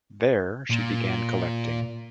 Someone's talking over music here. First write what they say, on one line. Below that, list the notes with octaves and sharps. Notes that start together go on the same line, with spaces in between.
There, she began collecting.
A#2